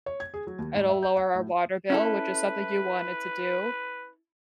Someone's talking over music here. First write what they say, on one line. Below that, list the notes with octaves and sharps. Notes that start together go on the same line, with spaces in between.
it'll lower our water bill, which is something you wanted to do,
C#5
G#6
G#4
F#3
D#2
G#2
E5
G6
F#5
A2
C#4 E4 A4 B4